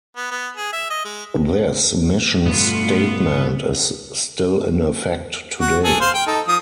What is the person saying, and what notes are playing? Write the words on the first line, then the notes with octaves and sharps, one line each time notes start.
This mission statement is still in effect today.
B3
B3
G#4
E5
D#5
G#3
G2 B2 D3 A3 B3 F4
F#4
G#4 A4
C5 F5
G5
D#4 A4
F3 D#6